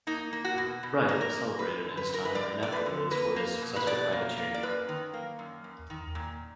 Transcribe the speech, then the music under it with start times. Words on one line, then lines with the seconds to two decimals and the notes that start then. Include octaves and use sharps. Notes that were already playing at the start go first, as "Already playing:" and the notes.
Wright was celebrated in his time and afterwards for his successful privateering.
0.07 A#3 D#4
0.33 A#3
0.44 F#4
0.58 B2
0.83 B2
1.09 A#3
1.21 A#4
1.34 A#3
1.59 F#2 B4
1.84 D3
1.97 B4
2.09 F#3 A#4
2.25 B4
2.35 F#2 D5
2.60 F#2 D5
2.72 B4
2.86 D3
3.11 A#3 B4
3.36 A#3
3.62 B2
3.76 B4
3.86 B2 D5
4.12 A#3
4.37 A#3
4.54 D5
4.63 F#2 B4
4.89 D#3
5.14 A#3
5.39 F#2
5.64 F#2
5.90 D#3
6.15 A#2